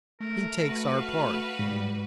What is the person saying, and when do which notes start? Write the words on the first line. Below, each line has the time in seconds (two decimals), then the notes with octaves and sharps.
He takes our part.
0.20 A3 A#4
0.66 F#4 B4
0.96 F5
1.59 G#2 G3